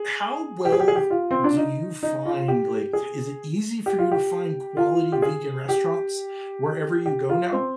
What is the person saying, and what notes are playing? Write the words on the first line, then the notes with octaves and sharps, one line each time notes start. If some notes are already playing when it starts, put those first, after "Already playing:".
how well do you find like, is it easy for you to find quality vegan restaurants wherever you go now?
Already playing: G#4
G4
G#4
G4
G#4
G4
F4
C4
D4
D#4
D#4
F4
G4
G#4
G4
F4
G4
F4
G4
G#4
G4
G4
F4
C4